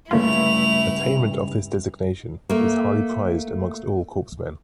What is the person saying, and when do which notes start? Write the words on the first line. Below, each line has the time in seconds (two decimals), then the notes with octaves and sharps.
Attainment of this designation is highly prized among all corpsmen.
0.11 C#2 G2 D3 A3 A#3 E4 F4 F7
2.49 A3 A#3